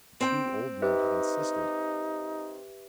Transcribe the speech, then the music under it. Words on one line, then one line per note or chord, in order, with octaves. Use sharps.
The two old men had insisted.
C4 G5
D#4 G4 B4 E5